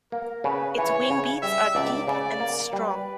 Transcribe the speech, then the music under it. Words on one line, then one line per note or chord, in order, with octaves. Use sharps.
Its wing beats are deep and strong.
A#3 A#4
C#3 B4
E3 C#5
C#3
G3 E5
C#2 D5
C#3 D5
A#3
G3 B4